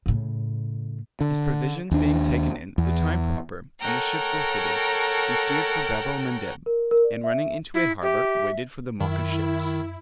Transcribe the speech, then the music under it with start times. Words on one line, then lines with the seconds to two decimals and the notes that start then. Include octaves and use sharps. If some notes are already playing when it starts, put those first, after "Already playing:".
His provisions being taken in, the time proper, and the ship well fitted, he steered for Babel-Mandeb, and running into a harbor, waited for the Mocha ships.
0.06 A2 C#3
1.21 D3
1.91 D#2 D4
2.78 E2
3.80 A4 A#4 C#5 F#5 G5 A#5
6.66 A#4
6.91 A#4
7.04 D5
7.24 E5
7.74 E4
8.02 G4 E5
9.00 F#2 D#3 E4